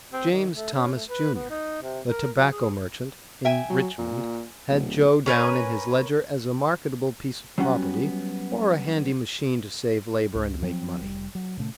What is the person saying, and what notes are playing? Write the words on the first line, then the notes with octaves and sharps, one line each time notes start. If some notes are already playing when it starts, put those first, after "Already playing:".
James Thomas, Jr., a tobacco merchant, in Richmond, had Joe down in his ledger as a marketable piece of property, or a handy machine to save labor, and make money.
C4
D#3
A3
C#4
A3
B4
B3
D#4
C3
A#4
F#3
G#4
E5 G5 G#5
F#3
A#2
D1
C#4 A#4 B4 G#5
F#3 G3 B3 C#4 F#4
C#2
F3 F#3 C4
F1 G3
F#3
A#2 C#3 G#3 A3